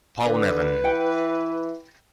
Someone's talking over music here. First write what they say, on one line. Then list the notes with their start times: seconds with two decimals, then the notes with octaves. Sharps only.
Paul Nevin.
0.25 D3 B4
0.84 E3 F#5 G5